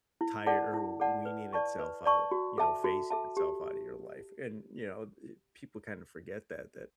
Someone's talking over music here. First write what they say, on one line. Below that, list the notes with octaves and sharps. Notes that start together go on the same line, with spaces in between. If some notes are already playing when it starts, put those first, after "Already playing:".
tire or weaning itself out, you know, phasing itself out of your life. And, you know, eh, people kinda forget that that
E4
A4 D5 F#5 A5
E4
A4 D5 F#5 A5
B4
D5 A5 C#6
B4
D5 A5 C#6
F#4
A4 E5 A5
F#4
A4 E5 A5
G4